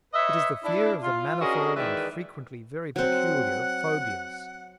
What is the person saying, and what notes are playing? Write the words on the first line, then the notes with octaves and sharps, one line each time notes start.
It is the fear of the manifold and frequently very peculiar phobias.
B4 C#5 D#5 E5
D4 E4
F4
C#4 D4 F#4 G#4 A#4 D#5
D#3 E3 G#3 B4 D5 E5
F#3 C4 F#5